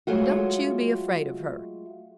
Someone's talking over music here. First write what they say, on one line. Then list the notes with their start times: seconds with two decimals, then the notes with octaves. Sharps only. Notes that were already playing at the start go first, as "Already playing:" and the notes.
Don't you be afraid of her.
0.07 F#3 G#3 A3 F4 F#4